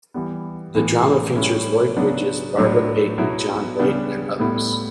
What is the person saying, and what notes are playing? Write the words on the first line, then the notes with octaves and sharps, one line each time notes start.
The drama features Lloyd Bridges, Barbara Payton, John Hoyt, and others.
E3 G3 B3
A2 E3 B3 E4
A2 G3 C#4 E4
C#3 F#3 B3 D4
A2 F#3 A3 D4
B2 F#3 B3 E4
C#3 G3 B3 D4
A2 G3 B3 E4